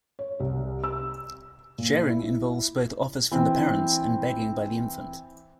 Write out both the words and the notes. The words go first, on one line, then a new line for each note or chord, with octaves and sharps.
Sharing involves both offers from the parents and begging by the infant.
C#5
C2
E6
A#2
E4
E3 C4